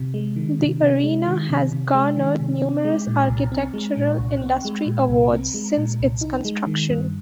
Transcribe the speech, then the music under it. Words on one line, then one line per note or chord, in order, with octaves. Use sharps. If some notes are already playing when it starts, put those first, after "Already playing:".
The arena has garnered numerous architectural industry awards since its construction.
Already playing: C3
G#3
D#3
C3
C3
G#3
D#3
C3
C3
G#3
D#3
C3
C4
G#3
A#2
C2
C4
G#3
A#2
C2
C4
G#3
A#2
C2
C4
G#3
A#2
C2
D#4
G#3
D#3
G2